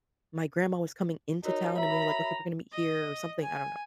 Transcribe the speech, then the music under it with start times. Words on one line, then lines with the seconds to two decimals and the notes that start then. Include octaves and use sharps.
My grandma was coming into town, and we were like, "Okay, we're gonna meet here," or something. I don't know.
1.44 D#4 F#4 A#4 C#5
1.78 E5 A#5 B5
2.72 D#5
3.42 G#5